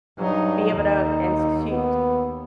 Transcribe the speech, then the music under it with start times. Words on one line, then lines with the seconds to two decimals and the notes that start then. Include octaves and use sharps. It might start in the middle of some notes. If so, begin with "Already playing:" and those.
be able to institute
0.18 G2 F#3 D#4
0.72 D#2 D#4
1.70 B3